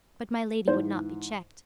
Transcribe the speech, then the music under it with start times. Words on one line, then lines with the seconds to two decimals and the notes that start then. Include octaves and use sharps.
But my Lady would not be checked.
0.68 G#2 E3 C5